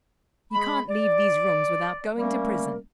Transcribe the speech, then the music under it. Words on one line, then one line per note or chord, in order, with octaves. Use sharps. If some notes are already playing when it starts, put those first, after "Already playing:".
You can't leave these rooms without going to prison.
G#3 G#4 B5
D5
G3 A3 A#3 C#4 A#4